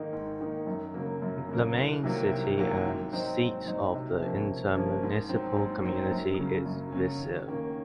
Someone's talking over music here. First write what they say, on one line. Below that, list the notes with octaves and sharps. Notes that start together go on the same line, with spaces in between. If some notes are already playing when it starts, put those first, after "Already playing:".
The main city and seat of the intermunicipal community is Viseu.
Already playing: G#2 D#3 A#3 D#4
G#2
D#3 A#3 D#4
F#2
C#3 F#3 A#3
F#2
C#3 F#3 A#3
C2
C3 D#3 F#3 A#3
C2
C3 D#3 F#3 A#3
G#2
F#3 C4 D#4
G#2
F#3 C4 D#4
C3
F3 A#3 C#4
C3
F3 A#3 C#4
G#2
F#3 C4
G#2
F#3 C4
F#2
C#3 F#3 C#4
F#2
C#3 F#3 C#4
D#2
D#3 A#3 C#4